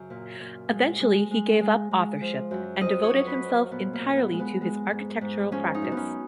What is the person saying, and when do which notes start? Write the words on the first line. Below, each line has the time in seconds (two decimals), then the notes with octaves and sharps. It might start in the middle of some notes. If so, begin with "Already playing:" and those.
Eventually he gave up authorship, and devoted himself entirely to his architectural practice.
Already playing: F#2 C#3 C#5
0.10 A#2
0.40 A#2
0.70 G#3
1.01 G#3
1.31 G#3
1.61 G#3
1.91 G#3
2.21 F3
2.51 F#2
2.81 F2 D#5
3.04 C#5
3.11 F#3
3.27 B4
3.41 F2
3.48 A#4
3.71 A#2 B3
3.93 A#3
4.01 A#2
4.16 B3
4.32 G#3
4.39 B3
4.61 G#3
4.91 G#2
5.21 G#2
5.51 F3 C#4
5.74 D#4
5.82 F#2
5.92 B3
5.97 C#4